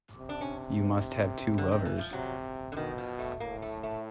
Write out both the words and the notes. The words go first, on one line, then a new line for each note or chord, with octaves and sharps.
You must have two lovers!
C3
D4
C#4
D3
D#3
E3
F3
C3 F#3
D3
B2 D#3
F3
A3
A2 A#3
A3
A3